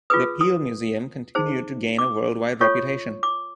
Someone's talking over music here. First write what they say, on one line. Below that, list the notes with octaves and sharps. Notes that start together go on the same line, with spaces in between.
The Peale museum continued to gain a worldwide reputation.
F4 G#4 B4 D#6
D#6
D#4 G#4 C5
D6
F4 A4 C#5 C#6
D6